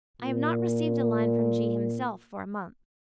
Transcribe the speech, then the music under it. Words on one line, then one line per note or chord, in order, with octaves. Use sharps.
I have not received a line from G. himself for a month.
A#2